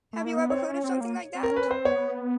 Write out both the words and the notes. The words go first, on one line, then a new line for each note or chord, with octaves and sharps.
Have you ever heard of something like that?
A3
A#3
B3
C4 C#5
C#4
C4
A#3
C4
A#4
C#4
B4
C4 C5
B3 C#5